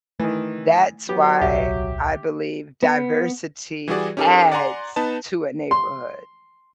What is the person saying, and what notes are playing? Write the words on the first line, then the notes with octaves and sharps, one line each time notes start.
that's why I believe diversity adds to a neighborhood.
D#3 E3 A3
F#3 B3 G4
D1 B1 G4 E5
B3
E3 G3 E4 F#4 G#4 D5
C#4 D#4 G4 A4 A#4
D5 F#5 G#5 A#5 C6
B3 D#4 B4 A5
C6